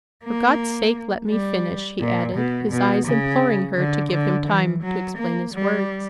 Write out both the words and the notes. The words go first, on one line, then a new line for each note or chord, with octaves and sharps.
"For God's sake, let me finish!" he added, his eyes imploring her to give him time to explain his words.
A#3
G3
A#2
B2
B2
C#3
D3
D3
E3
F#3
A#3
G3